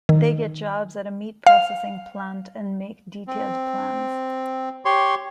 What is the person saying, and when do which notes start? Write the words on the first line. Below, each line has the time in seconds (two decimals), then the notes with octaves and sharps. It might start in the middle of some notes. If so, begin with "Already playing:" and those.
They get jobs at a meat processing plant and make detailed plans.
0.09 D#3
1.47 F5
3.27 C4
4.85 G4 C#5 C6